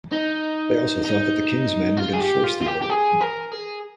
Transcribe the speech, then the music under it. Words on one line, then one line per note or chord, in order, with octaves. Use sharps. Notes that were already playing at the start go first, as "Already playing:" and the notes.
They also thought that the King's men would enforce the order.
D#4
D#4
F4
G#4
G4
F4
F4
G4
G4
G#4
A#4
G#4